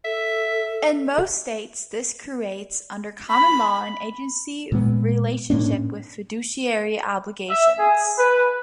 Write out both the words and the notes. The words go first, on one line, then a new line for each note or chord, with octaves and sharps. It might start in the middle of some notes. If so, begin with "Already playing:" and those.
In most states this creates, under common law, an agency relationship with fiduciary obligations.
A4 E5
B5
A#2 G#3 B3
A2 A#3 C#4 D4
E5
G#4
B4